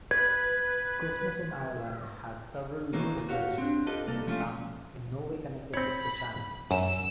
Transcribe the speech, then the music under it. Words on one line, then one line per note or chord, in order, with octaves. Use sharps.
Christmas in Ireland has several local traditions, some in no way connected with Christianity.
B4 G#6
D#2 D#3 E3 A3 A#3 C#4
F#4 G4 C#5 F5
C4 D4
F4 G4 A4 B4 D#5
C2 A#3 A4
F3 A3 C#4 F4
C4 C#5 B5
F#2 E6